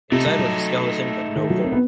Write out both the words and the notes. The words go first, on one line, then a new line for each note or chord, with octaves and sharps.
Inside was a skeleton but no gold.
C3 A3 D#4 A4
G3
F#3
D#3
F#3
C4
B3